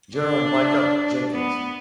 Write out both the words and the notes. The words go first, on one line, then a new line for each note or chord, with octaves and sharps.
General Micah Jenkins.
D4
B3